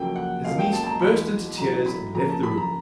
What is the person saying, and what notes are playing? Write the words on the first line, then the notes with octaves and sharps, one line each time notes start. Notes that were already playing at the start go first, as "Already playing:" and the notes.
His niece burst into tears and left the room.
Already playing: F2 C#3 F#3 A#3 G5
F#5
C#2 B2 F#3 A#3 F5
G5
A5
A5
A#5
E2 B2 G#3 B5
A1 A2 F#3 A#5
B5
F2 C#3 F3 A#3 A#5
A5
B5
A#5